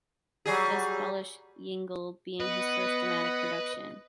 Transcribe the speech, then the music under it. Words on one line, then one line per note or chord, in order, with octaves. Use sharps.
"Das Polishe Yingel" being his first dramatic production.
F#3 G3 G#4
B3 B4 D#5 F#5